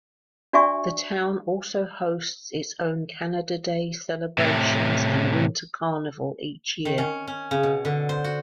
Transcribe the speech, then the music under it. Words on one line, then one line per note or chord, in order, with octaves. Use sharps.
The town also hosts its own Canada Day celebrations and winter carnival each year.
D4 F#4 D5 E5 G#5 C#6
A2 C3
D#3
C#4
C#4
C#3
B2
D3
C5
F#4